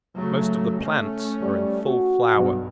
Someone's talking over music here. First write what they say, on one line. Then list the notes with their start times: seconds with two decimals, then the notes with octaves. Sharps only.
Most of the plants are in full flower.
0.16 C#3 F#3 A3
0.80 A3 C#4
1.42 G3
1.86 F#4
2.34 B1 G2